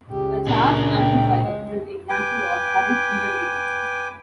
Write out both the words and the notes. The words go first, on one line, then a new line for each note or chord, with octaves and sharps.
A charge amplifier is an example of current integrator.
C#2 G4
A#2 D4 A#4 G#5
G5
G#3
B4 G5 G#5 D6